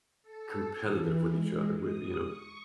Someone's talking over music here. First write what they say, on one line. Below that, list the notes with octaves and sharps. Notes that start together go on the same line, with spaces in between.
competitive with each other, with, you know,
A4
E3
G#3
D#6
C#6